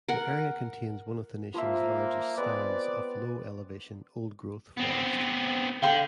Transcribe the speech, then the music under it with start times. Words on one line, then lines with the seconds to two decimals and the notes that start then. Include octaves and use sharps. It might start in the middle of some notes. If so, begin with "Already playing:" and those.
The area contains one of the nation's largest stands of low-elevation old-growth forest.
0.08 A#4 F#5
1.54 F3 A#3 F4 E5 B5 C6
2.38 G#3 B3 C4 B4 D5
4.77 B3 C4
5.82 D3 F5 G5 C6